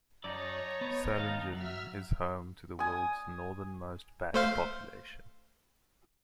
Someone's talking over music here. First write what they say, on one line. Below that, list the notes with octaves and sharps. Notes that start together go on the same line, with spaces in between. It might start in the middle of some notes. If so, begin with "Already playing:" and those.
Salangen is home to the world's northernmost bat population.
F#2 D#4 C#5 D5 A5 A#5
B3
D#2 F5
F#3 E5 E6 F6
G#5 D#6
A3 C5 F5